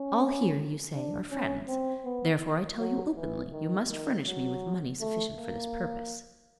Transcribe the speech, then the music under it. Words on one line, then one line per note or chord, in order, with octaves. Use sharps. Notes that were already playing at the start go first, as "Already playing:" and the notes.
All here you say are friends; therefore I tell you openly, you must furnish me with money sufficient for this purpose.
Already playing: C#4
D4
C#4
C4
B3
F#3
E3
D#3
D#3
F#3
A3
A#3